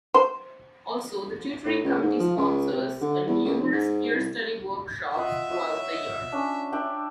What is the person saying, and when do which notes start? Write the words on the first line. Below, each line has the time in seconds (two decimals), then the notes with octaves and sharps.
Also, The Tutoring Committee sponsors numerous Peer Study Workshops throughout the year.
0.14 C5
1.65 A2
1.84 C#2
2.02 G#2
2.20 F3
2.37 C#2
2.72 C3
3.01 D3
3.27 E2
3.45 C#2
3.61 F1
3.72 G#2
4.14 C2
5.16 F4 D#5 E5 F#5
5.50 C#5 D#5
6.32 C#4 D4
6.72 D4 E5 G5